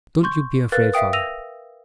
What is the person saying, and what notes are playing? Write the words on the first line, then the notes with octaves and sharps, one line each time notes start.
'Don't you be afraid, father.'
C6 C#6 G6
A#4 B4 F5 F#6 A6
E5 F5 G5 D#6
E6 A#6 D#7 F7